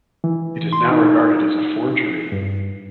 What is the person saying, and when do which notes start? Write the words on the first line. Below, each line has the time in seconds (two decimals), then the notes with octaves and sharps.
It is now regarded as a forgery.
0.24 E3
0.73 C6
0.91 D#4
2.32 G2